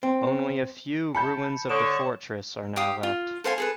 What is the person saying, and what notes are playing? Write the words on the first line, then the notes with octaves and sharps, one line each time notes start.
Only a few ruins of the fortress are now left.
C4
A5 B5 G6 C#7
D3 C#5 C#6 D#6 E7
G4 F5 D#6
F4
A4 C5 F5 G#5
G#4 A4 B4